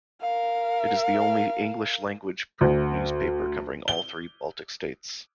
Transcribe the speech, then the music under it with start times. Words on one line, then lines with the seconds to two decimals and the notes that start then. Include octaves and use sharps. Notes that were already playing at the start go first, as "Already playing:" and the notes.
It is the only English language print newspaper covering all three Baltic states.
0.21 A#4 F5
2.61 D2
3.88 G7